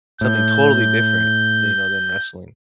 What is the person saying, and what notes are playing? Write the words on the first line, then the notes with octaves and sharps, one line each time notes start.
something totally different than you know, than wrestling.
A2 G6